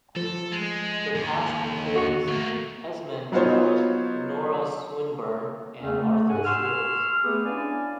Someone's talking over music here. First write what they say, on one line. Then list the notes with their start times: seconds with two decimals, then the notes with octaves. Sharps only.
The cast includes Esmond Knight, Nora Swinburne and Arthur Shields.
0.16 F3 A4
0.52 G#3
1.15 D#2
1.96 F#4 C#6
2.28 A3 A#3
3.32 F#3 B3 D#4 F4 C5 C#5
5.81 E2 C#3 A3 C4 C#4
5.95 A3
6.29 G#2 F#5 G#5
6.45 G#5 C6 C#6 E6 F6
7.24 A3 B3 C4 G4 G#4 B4
7.46 C#4 D4 E4 D5 F5 G#5